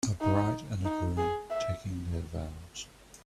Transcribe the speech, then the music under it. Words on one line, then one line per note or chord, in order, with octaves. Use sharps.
A bride and groom taking their vows.
D#4
D#4
G#4
E5